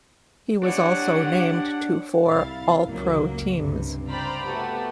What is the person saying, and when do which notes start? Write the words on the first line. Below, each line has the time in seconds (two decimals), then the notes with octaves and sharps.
He was also named to four All-Pro teams.
0.63 D4 G4 C#5 F#5
2.27 C2 E4 F5 A6
2.84 C#2 F#2 F#3 A#3
3.51 C#2 G2 C3
4.08 C5 D5 F5 G5 A#5 B5
4.46 A3 B3 F#4 G4